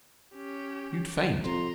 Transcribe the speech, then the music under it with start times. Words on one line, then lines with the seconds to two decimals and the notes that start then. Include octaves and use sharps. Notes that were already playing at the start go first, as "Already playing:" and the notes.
You'd faint.
0.35 C#4 G4
1.44 F2 A#5 C6